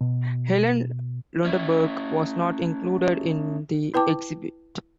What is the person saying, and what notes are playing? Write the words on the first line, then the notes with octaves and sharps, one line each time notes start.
Helen Lundeberg was not included in the exhibit.
B2
C#4 E4
E4 B4 G5 A5 D6